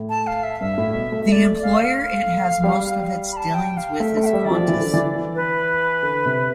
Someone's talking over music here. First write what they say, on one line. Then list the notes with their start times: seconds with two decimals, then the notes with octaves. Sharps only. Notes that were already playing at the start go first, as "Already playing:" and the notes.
The employer it has most of its dealings with is Qantas.
Already playing: A2
0.09 A5
0.27 F5
0.44 E5
0.60 G2 E5
0.78 A2
0.94 B2
1.12 A3
1.28 A3 E5
1.32 D5
1.63 F5
1.96 F5
2.64 G3
3.32 B5
3.37 A5
3.54 G5
3.77 F5
4.00 A3 E5
4.17 A3
4.22 G5
4.26 E5
4.33 G3
4.45 D5
4.51 F3
4.68 E3
4.80 D3
4.94 E3
5.36 B4
6.03 D3
6.26 C3